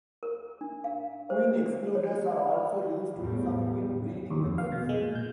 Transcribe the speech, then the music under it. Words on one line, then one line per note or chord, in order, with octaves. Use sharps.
Queen excluders are also used with some queen breeding methods.
A#4
D4
F5
C5
C#5
D5
B5
E2 A2 G3
D#2
F2
F5
B2
G#3
A#2
G6